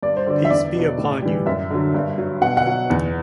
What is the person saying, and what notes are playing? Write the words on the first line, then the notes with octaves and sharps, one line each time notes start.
Peace be upon you.
G2 D5
C5
D3 F#3 D5
E5
E2 D5
B2 F#3
A2
E3 G3
F#2 E5
D3 F#3
G2
F#3
B2 F#5
F#5
F#3
E2